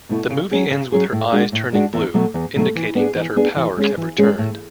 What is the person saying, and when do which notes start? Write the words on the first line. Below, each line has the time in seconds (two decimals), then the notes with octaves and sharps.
The movie ends with her eyes turning blue, indicating that her powers have returned.
0.09 B2 A3 E4
0.30 C#3
0.51 F#3 C#4 G#4
0.71 C#3
0.92 F#3 C#4 G#4
1.12 A2
1.32 G#3 D4 F#4
1.52 A2
1.73 G#3 D4 F#4
1.94 E2
2.14 B2 F#3 A3
2.34 E2
2.55 B2 F#3 A3
2.75 E3
2.95 B3 D4 G#4
3.16 E3
3.36 B3 D4 G#4
3.56 E3
3.77 G#3 C#4 G#4
3.97 E3
4.18 G#3 C#4 G#4
4.38 A2